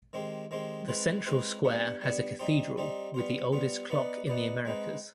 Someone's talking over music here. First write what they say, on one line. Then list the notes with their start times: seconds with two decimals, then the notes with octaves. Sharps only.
The central square has a cathedral with the oldest clock in the Americas.
0.13 D#3 G#3 C4 G4 C5
0.51 D#3 G#3 C4 G4 C5
0.88 G#3 C4 F4 B4
1.26 G#3 C4 F4 B4
1.65 G3 B3 D4
2.01 G3 B3 D4
2.39 G3 C4 D#4 G4 C5
2.77 G3 C4 D#4 G4 C5
3.14 G3 B3 F4 C5
3.52 G3 B3 F4 C5
3.90 B3 D#4 B4 D5
4.27 B3 D#4 B4 D5
4.65 G#3 C4 D#4 B4